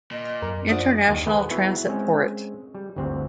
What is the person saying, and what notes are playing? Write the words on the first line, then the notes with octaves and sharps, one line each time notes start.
International transit port.
A#2 D#5
F#2 A#4
F3 D4 D5 F#5 D#6
D#2 D#3 D#4 G4
G#4 A4 B4 C5 F#5 G5
B3 E4 F#4 E5
G#3 C4 C#4
G3
G1 D2 C4